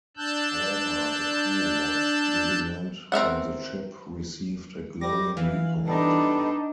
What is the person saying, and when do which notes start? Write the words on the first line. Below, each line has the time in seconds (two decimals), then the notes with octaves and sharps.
However, the crew was jubilant when the ship received a glowing report.
0.17 D4 A5 E6 F#6 G6
3.12 C4 A#4 E5 F#5
5.01 G3 G4 D6 A#6
5.37 E3 F5
5.88 G3 B3 D4 D#4 A4